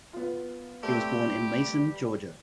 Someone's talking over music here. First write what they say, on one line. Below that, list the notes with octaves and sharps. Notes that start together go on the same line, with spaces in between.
He was born in Macon, Georgia.
B3 F4
G3 A3 C4 G4